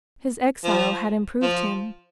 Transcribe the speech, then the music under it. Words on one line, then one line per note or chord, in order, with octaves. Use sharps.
His exile had improved him.
F3
F3